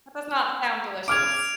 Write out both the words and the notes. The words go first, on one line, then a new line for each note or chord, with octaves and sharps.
That does not sound delicious.
D6 F6 G#6 D7 F7